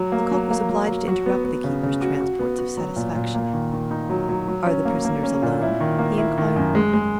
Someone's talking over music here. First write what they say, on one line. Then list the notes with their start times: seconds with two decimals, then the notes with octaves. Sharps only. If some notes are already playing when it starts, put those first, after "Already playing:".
Lecoq was obliged to interrupt the keeper's transports of satisfaction. "Are the prisoners alone?" he inquired.
Already playing: F#3
0.12 A#3
0.31 F#3
0.51 A#3
0.69 F#3
0.89 F#3
1.08 F#4
1.26 B3
1.44 B3
1.64 C#3
1.83 C#3
2.01 F#4
2.21 F#4
2.39 B3
2.59 F#4
2.77 F#3
2.96 A#2
3.15 A#2
3.35 A#3
3.53 D#3
3.72 D#3
3.91 D#4
4.10 F#3
4.29 F#3
4.48 F#3
4.66 C#4
4.85 A#3
5.05 A#3
5.23 C#4
5.42 A#2
5.62 E4
5.80 D#3
5.99 A#3
6.18 E4
6.37 D#3
6.56 F#2
6.75 G#3
6.93 G#3